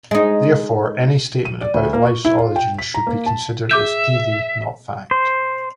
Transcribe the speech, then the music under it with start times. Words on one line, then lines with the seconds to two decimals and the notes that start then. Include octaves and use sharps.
Therefore, any statement about life's origins should be considered as theory, not fact.
0.11 G#3 D#4
1.45 D#7
1.61 D5
1.74 D2
1.93 A#3
2.07 C#6
2.25 E4
2.38 F4
2.56 G5
2.79 B6
2.94 A#5
3.07 A#3
3.26 A5
3.71 G#4 E5 D6 G6
5.11 C5